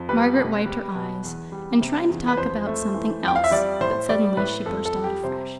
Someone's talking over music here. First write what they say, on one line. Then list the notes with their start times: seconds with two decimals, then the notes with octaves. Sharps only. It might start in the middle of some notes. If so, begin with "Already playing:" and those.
Margaret wiped her eyes, and tried to talk about something else, but suddenly she burst out afresh.
Already playing: F2
0.09 G3 B4
0.37 B2
0.65 G3
0.95 B2
1.24 E2
1.52 G3
1.81 C3
2.09 E2
2.28 B4
2.37 F2 C5
2.67 A3
2.94 E3
3.23 F2 G5
3.36 F5
3.44 E5
3.51 G3 D5
3.81 A2 C5
4.09 G3 D5
4.37 A2 B4
4.66 F2 A4
4.85 A4
4.95 G3
5.04 G4
5.23 C3 C5